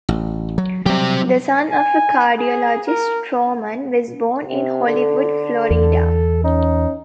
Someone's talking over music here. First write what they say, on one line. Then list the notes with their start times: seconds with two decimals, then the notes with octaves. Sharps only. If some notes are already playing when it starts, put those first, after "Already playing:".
The son of a cardiologist, Trohman was born in Hollywood, Florida.
0.09 A1
0.58 F#3
0.86 F#3 G3 C4 G4
1.71 G#5
2.38 G#4
2.87 A#4
4.48 C3
4.87 D3 A4
5.71 E2
6.44 C#4 D#4